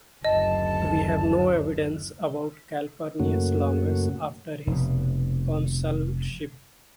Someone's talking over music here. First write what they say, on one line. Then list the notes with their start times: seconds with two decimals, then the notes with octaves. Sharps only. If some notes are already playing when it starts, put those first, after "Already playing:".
We have no evidence about Calpurnius Longus after his consulship.
0.25 F#1 D2 D#5 A5
3.20 F#2 C#3 A3 A#3 C#4 F#4
4.67 F1 B2